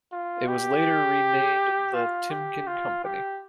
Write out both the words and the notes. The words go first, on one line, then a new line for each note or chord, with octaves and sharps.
It was later renamed The Timken Company.
F4
G4
F4
G4
F4
G4